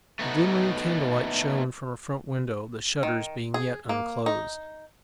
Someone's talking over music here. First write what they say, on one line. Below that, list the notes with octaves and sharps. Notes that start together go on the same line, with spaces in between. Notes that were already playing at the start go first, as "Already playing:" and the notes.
A glimmering candlelight shone from a front window, the shutters being yet unclosed.
A3 B3 D#4 F#4
D#3
G#4
A#3
D#4